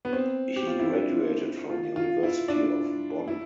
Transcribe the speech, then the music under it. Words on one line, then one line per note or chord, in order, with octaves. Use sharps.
He graduated from University of Bonn.
B3
C4
G4
F4
E4
D4
F4
F4
E4
D4
E4